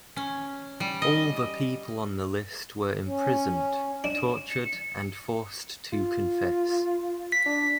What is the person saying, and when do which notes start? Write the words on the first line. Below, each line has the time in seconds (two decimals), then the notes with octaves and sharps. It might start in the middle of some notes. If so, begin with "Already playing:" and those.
All the people on the list were imprisoned, tortured and forced to confess.
0.16 C#4
0.80 G3
1.02 D#5
3.05 C#4
4.04 D4 E7
4.50 C#7
5.93 F4
7.32 B6
7.46 D4